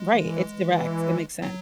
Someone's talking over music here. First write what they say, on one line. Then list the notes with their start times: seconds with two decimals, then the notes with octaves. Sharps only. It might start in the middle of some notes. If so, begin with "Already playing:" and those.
Right, it's direct, it makes sense.
Already playing: G#3
0.11 E3
0.56 E3
1.42 F#3